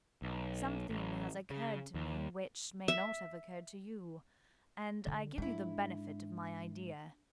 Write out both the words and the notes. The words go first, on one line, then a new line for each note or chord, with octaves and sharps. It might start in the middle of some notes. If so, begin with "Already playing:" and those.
Something has occurred to me which may not have occurred to you, and I give you the benefit of my idea.
B1
A1
C#3
D#2
E5
D3
G#2 D4 E4